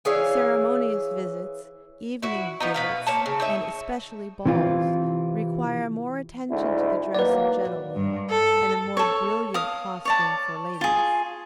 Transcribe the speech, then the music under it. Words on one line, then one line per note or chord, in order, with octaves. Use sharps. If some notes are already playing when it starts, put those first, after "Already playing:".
Ceremonious visits, evening visits, and especially balls, require more attention to the dress of gentlemen, and a more brilliant costume for ladies.
E3 G#4 C#5 F5
E4 F#4
F3 B3 D#4
B2 B4 F5
A#3 C#5 A5
C#3
D#4 C#5 E5
C3 E3 F4
D2 G#2 E4
D#3 F#3 A#3 B4 D5
G2
A4
A4 C#5
F5 D#6
C#5 D5 A5
F4 G#4